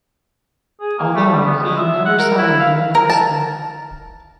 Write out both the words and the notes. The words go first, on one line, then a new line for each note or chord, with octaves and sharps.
Although he never signed the manifesto.
G#4
A#3
A3
G3
B3
G#3
E5
F#5
A#4
E4
F5
A#4
A5